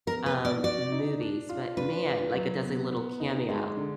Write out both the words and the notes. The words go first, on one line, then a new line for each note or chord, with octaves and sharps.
um, movies, but man, like it does a little cameo,
B3 A#4
B4
B3
D5
F#4 D5
D#4
D4
F4
D4 B4
F4
F#3
B3
B3
D#4
G#3
D3